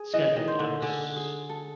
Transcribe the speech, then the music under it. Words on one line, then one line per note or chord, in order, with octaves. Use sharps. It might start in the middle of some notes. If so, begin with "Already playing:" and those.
scheduled on S
Already playing: G#4
E3 D#5
D#3
C5
D3
D3 G#4
G#4
A4